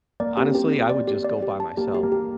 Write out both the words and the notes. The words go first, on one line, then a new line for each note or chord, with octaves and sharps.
Honestly, I would just go by myself,
A#3 D5
C4 G4
C4 G4
G4
D5
G4
D5
G4
A5
A#3 G4
G4
A#3
G4